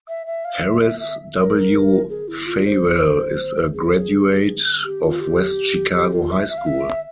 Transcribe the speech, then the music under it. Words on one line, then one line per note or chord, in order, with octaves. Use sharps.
Harris W. Fawell is a graduate of West Chicago High School.
E5
E5
F5
E5
E5
E5
A#4
G#4
E4
F4
C5
G#4
G4
F4
G4
G4
F4
E5
E5
F5
E5